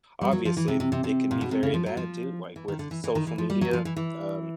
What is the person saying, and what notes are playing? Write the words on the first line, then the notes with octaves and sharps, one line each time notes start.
obviously it can be very bad too, like with social media, um,
G3
F#3
F3
E3
C3
C3
C3
C3
A#2
B2
C3
C#3
F3
F#3
F3
E3
D#3
D3
E3
E3
D#3
E3
F3
G3
F#3
F3
E3
E3